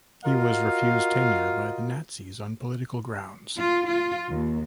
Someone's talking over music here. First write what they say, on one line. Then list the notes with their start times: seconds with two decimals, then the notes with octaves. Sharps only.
He was refused tenure by the Nazis on political grounds.
0.25 F4 F#4 A#4 D#5 F5
3.58 F4
3.89 F4
4.30 D#2